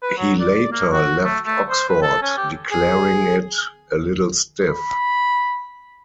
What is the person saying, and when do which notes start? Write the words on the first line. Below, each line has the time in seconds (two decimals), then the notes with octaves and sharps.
He later left Oxford, declaring it "a little stiff".
0.02 B4
0.18 F#3
0.40 D5
0.72 A#3
0.92 F#4
1.24 A3
1.46 A3
1.69 C5
1.89 B4
2.02 A4
2.22 C#4
2.37 G4
2.71 G#4
4.70 B5